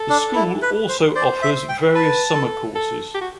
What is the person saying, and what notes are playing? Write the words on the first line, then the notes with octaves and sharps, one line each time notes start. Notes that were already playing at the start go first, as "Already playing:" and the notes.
The school also offers various summer courses.
Already playing: A4
D4
E4
B4
C5
C5 D5
E5
G5
B4 A5
A4
A4
G4
F#4